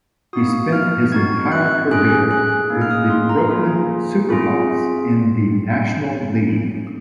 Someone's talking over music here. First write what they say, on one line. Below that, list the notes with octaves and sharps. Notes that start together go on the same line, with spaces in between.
He spent his entire career with the Brooklyn Superbas in the National League.
A#3 D#4 F#4 D#6
F6
C4 D#4 F#4 G#6
F#6
C#4 G#4 F#6
F#6
A#3 D#4 G#4
F6
D#6
C6
A#5
A#3 F4 G#4
C4 F4 G#4